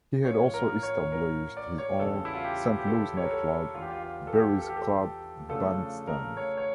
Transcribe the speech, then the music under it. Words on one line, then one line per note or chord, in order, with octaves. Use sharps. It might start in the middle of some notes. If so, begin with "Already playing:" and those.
He had also established his own Saint Louis nightclub, Berry's Club Bandstand.
A2 F3 C#4 C#5
A#4
C#5
A#4
D5
C#5
E2 C#3 G3 A4
E4
F4
G4
G4
A4
C#5
A#4
A4
E2 E3 A#3 D4 F4
G4
F4
F4
A4
G4
A4
G4
A4
C#3 F3 A3 D4 A4
A#4
C#5
C#5